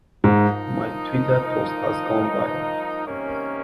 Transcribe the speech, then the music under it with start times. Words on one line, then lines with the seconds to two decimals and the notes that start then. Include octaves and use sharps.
My Twitter post has gone viral.
0.24 G#2 F3 A#3 D#4
3.06 C3 D#3 A#3 C#4